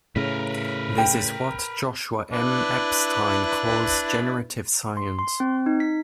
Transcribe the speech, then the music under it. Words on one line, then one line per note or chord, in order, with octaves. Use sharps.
This is what Joshua M. Epstein calls generative science.
A2 C#3 A#4 B4
G5
D4 E4 B4
C6
C6
C4
D#4
B6